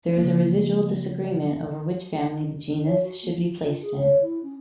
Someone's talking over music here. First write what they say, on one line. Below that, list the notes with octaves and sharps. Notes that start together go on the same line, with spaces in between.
There is residual disagreement over which family the genus should be placed in.
C#3 F3 A#3
C#5
F#4
A#3
F3
F4
G#4
C#5
E4
C#4